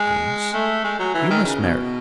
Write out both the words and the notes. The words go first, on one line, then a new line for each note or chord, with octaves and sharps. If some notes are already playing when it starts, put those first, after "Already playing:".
Collins, you must marry.
Already playing: G#3
A3
G#3
F#3
E3
D#3
C#3
B2